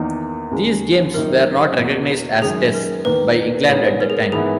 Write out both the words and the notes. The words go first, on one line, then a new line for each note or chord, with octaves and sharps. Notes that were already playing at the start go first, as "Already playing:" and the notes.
These games were not recognised as Tests by England at the time.
Already playing: E2 D#3 A#3 D#4
D#2 C#3 G#3
F#2 D#3 A#3 D#4 A#4
E2 B2 A#3
F#2 D#3 G#3 C#4 G#4
A#4
E2 D#3 A#3 B4
A#2 G#3 B3 D#4 C#5
B4
A#4
G#4
A#4
G#2 E3 G#3 B3 E4 G#4